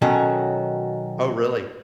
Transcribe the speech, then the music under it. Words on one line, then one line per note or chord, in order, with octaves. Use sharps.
Oh, really?
B2 D#3 F#3 C#4 A4